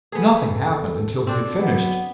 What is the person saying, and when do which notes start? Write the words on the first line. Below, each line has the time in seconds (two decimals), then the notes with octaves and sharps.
Nothing happened until he had finished.
0.12 B3 G#4 A4
1.27 C4 D4
1.61 F#3 B3